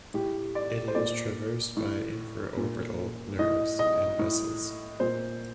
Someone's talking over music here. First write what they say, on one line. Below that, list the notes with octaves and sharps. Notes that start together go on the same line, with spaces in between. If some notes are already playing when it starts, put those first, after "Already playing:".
It is traversed by infraorbital nerves and vessels.
A2 G4
D5
C5
A#2 D5
A2
A#2
A2 D#5
D#5
A2
A#2 C5